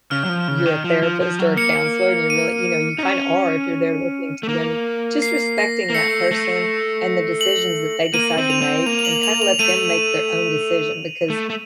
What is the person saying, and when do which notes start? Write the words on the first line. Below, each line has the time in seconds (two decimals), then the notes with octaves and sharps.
you're a therapist or a counselor and you really you know, you kind of are if you're there listening to them. Just respecting that person and the decisions that they decide to make and kinda let them make their own decision because
0.11 C#3 F6
0.25 F#3
0.29 F3
0.48 C#3
0.66 D#3
0.84 F3
1.02 F3
1.21 F3
1.39 F#3
1.57 A#3 C#7
2.30 D#7
2.99 D#4
3.03 C#4
4.43 A3
4.49 A#3
5.22 C7
5.58 A#6
5.90 A#3
5.94 A3 C#7
6.31 A3
7.41 F#7
8.14 A#3 D#7
8.38 C4
8.50 F7
8.62 C4
8.86 A#3 F7
8.99 F7
9.05 F#7
9.23 F7
9.42 F7
9.59 A3 D#7
11.30 A3
11.50 A3